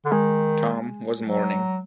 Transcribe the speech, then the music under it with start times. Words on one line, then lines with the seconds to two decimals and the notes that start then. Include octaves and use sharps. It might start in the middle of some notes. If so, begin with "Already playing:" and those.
Tom was mourning.
0.05 D3
0.12 D#3 G#3
1.22 F#3